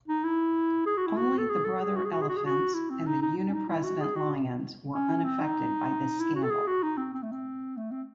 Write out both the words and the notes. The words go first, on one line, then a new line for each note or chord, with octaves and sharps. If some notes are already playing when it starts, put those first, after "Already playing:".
Only the Brother Elephants and the Uni-President Lions were unaffected by this scandal.
D#4
E4
G#4
F#4
E4
F#4
A4
G#4
A4
G#4
F#4
G#4
F#4
G#4
F#4
G#4
F#4
E4
C4
D#4
D#4
D#4
C#4
D#4
E4
F#4
G#4
F#4
C#4
C4
D#4
E4
F#4
A4
G#4
F#4
D#4
C4
C4
A3
C4
A3
C4